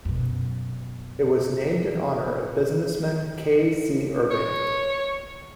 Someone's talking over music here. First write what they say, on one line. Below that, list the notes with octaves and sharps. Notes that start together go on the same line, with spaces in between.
It was named in honour of businessman K. C. Irving.
F#2 B2
C#5